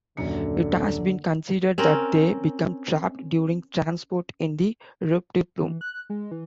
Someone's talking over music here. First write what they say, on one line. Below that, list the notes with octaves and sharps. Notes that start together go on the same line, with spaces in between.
It has been considered that they became trapped during transport in the eruptive plume.
D#1 F#2 D3 C#7
C4 C#4 A#4
E3
F#6
G#3
E3